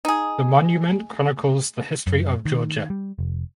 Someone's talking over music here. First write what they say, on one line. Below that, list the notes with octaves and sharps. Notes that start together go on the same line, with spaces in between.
The monument chronicles the history of Georgia.
D#4 G#4
F#2
D#3
G3
F1